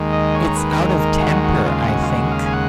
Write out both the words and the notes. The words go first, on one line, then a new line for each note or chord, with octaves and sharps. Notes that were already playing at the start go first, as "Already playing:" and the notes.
It’s out of temper, I think.
Already playing: D#2 D#3 G#3
D#5
C#5
A#4
B4
A#4
A#4
F#4
F#4
D#2 C#3 G#3 F4
F#4
F4
F#4
F5
G#5
F#5